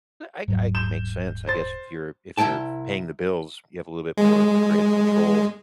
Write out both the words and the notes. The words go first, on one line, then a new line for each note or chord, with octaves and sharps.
i I I makes sense. I guess if you're if you're paying the bills, you have a little bit more creative control.
D#1 G#2 F#3
G6 E7
C5 A6
C2 C#3 E4 G5 A5
G#3